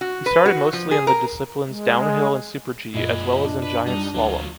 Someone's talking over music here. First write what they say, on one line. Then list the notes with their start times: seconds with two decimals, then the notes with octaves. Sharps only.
He started mostly in the disciplines Downhill and Super-G as well as in Giant slalom.
0.01 F#4
0.26 B4
0.45 F#4
0.73 F3
0.91 G#4
1.07 A#4
1.68 G#3
2.94 F#2 A#2 G#3 E4 F4 D#5
3.38 D4
3.62 B4
3.87 G3 D#4
4.15 D2 F#3 F4